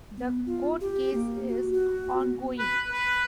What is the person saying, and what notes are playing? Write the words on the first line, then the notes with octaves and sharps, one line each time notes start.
The court case is ongoing.
B3
F4
G4
A#3
F#4
F#4
B3
B4
B4